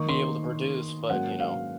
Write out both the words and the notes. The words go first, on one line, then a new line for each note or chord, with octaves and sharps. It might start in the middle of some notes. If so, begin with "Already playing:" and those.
be able to produce, but, you know,
Already playing: D#3 A#3 D#4 C#6
C6
G#2 F#3 A#3 C#4 F#5
F5